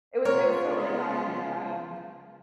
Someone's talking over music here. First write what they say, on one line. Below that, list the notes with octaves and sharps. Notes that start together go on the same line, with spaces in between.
it was it was totally fine, but, um,
C#3 G#3 B3 F4 A#4 C#5